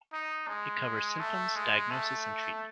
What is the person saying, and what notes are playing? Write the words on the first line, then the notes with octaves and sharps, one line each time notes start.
It covers symptoms, diagnosis and treatment.
D#4
G#3
A3
G#3
A3